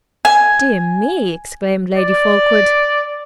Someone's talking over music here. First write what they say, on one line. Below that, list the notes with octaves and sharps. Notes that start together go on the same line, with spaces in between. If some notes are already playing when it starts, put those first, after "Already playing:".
"Dear me!" exclaimed Lady Fulkeward.
G#5
D5